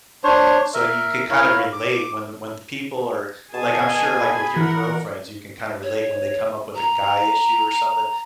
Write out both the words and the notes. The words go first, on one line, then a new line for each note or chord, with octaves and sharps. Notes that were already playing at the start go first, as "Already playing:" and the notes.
So you can kind of relate when the when the people are like, I'm sure, like, with your girlfriends, you can kinda relate when they come up with a guy issue or something.
D4 C5 C#5
A#4 E5
E4 A#4 C#5 F5
D6
B2 G#4 G#5 A5
B5
E3 A#4 F#5
C#5
A#5